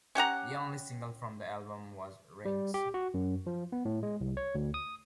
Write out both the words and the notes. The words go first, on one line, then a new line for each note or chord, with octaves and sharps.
The only single from the album was "Rings".
C#4 G4 F#5 A#5
G3
G4
F#4
F#2
F3
B3
A2
G#3
C2
C#5
D2
D#6